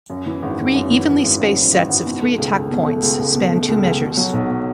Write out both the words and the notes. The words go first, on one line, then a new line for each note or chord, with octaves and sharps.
Three evenly spaced sets of three attack-points span two measures.
F#2
E3
G#1
G#1
F#2
E3
G#1
G#1
F#2
E3
G#1
G#1
B2
A3
C#2
C#2
B2
A3
C#2
C#2
B2
A3
C#2
C#2
B2
F#3
B1